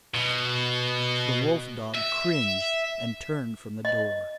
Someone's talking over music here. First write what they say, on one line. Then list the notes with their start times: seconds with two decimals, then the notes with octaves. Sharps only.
The wolf-dog cringed, and turned from the door.
0.14 B2
1.94 E5
3.85 D#5